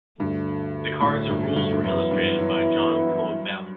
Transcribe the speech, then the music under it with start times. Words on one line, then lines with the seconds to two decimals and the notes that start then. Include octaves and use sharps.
The cards and rules were illustrated by John Kovalic.
0.19 D2 G2 D3 A3
1.01 A2
1.29 G2
1.56 G2
1.73 G2
1.84 F#2 E3 B3 E4
2.11 G2
2.39 F#3